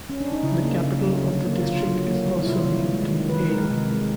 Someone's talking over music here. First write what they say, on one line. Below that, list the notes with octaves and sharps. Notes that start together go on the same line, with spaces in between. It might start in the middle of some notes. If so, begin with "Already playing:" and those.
The capital of the district is also named Aileu.
C#4
D4
D#4
C#3 E4
A#3
C#3
F#3
D3
A#3
D3 F4
F#3
A#3
G3
E4
C3 F4
E3
G#3
D#3
D#3 B4
G#3 A#4
C3
G#3